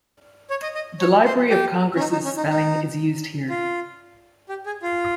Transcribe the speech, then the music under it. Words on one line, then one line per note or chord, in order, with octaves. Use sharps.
The Library of Congress's spelling is used here.
C#5
D#5
D#5
C#5
C5
G4
C#4
D#4
D#4
C#4
D#4
D#4
F4
G4
G#4
F4